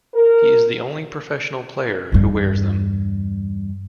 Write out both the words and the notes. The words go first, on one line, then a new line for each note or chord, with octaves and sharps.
He is the only professional player who wears them.
A#4
E2 G2